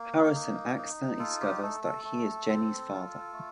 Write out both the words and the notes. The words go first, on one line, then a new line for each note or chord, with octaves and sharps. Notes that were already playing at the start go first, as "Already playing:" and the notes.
Harrison accidentally discovers that he is Jenny's father.
Already playing: A#3
D#4
D#4
F4 A4
G4
A3 A4
A4
A3
C4
F4
A3